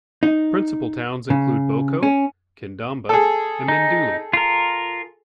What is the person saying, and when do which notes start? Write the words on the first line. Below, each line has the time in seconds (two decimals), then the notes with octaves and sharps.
Principal towns include Boko, Kindamba and Mindouli.
0.23 D#4
1.30 C#3
2.03 C#4
3.09 G#4 A4
3.68 D#4
4.33 F4 A#4